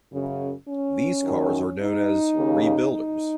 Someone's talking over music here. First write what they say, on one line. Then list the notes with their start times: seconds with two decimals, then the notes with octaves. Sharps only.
These cars are known as "rebuilders".
0.13 F#2 C#3
0.68 C#4
1.24 F#2 D#3
1.80 D#4
2.35 D#2 C#3
2.91 D#4